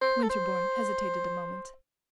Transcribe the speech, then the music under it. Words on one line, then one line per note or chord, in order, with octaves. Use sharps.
Winterbourne hesitated a moment.
C5
A4
C5